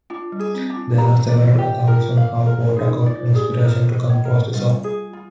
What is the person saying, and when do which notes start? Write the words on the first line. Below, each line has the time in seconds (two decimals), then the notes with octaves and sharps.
There are several accounts on how Porter got inspiration to compose the song.
0.10 D4 F4
0.32 G3
0.39 G#4
0.55 C4
0.70 D4
0.76 F4
0.98 G4 A#5
1.29 D5
1.43 F4
1.58 G4
1.87 F4 A#4
2.17 F5
2.46 A#4
2.76 D#4 G#4
3.06 F4 D5
3.35 G4 G#4
3.65 F4 A#4
3.94 D#5
4.10 A#3
4.25 A#4
4.53 G3 F4
4.84 G#4
5.13 F4